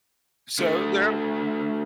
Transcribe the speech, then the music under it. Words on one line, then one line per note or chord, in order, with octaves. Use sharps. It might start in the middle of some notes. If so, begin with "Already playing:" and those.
So, there
D3 A3